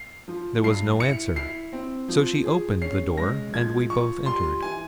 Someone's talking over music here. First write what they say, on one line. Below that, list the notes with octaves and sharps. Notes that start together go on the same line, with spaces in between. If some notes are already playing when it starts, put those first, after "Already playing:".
There was no answer; so she opened the door, and we both entered.
Already playing: C7
F3
G2 C7
E4 C#7
E4 C7
C4
F3
G#4
C#4 C7
G#3 A#6
F3 G#6
F3 C#6
G3 C6
E3 G#5